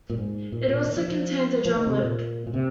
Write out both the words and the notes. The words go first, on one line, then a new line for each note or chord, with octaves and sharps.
It also contains a drum loop.
A#2
G#2
A#2
A#2
D#3
F3
F3
F3
D#3
C3
A#2
A#2
C3